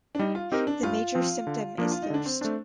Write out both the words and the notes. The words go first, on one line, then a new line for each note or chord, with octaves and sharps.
The major symptom is thirst.
D4
G3 D#4
F4
C4 D#4 G4 A#4
D4
G2 F4
F3 C4
D3
F3 A#3 D4
F4
D#4
D3 D4
C4
A3 C4 D4